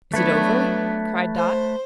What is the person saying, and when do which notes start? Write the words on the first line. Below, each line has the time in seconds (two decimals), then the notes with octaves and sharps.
"Is it over?" cried Dot.
0.14 F#3 A3 B3 D4 B4 C#5
1.36 C5